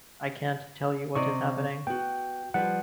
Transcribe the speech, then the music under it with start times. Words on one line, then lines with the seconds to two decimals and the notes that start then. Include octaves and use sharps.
I can’t tell you what is happening.
1.15 C3 D5 D#5 C#6
1.87 B3 F#4 G5
2.54 F3 G3 B4 F#5